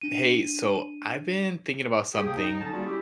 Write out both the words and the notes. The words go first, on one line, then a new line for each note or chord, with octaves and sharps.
Hey, so I've been thinking about something,
D4 D#7
G4 G#4
D#2 C3 F3 G5 D#6
D#4
D3 F#3 C#4 A5
G3 A#3 C#4 F4 F#4 G#4
E4 G4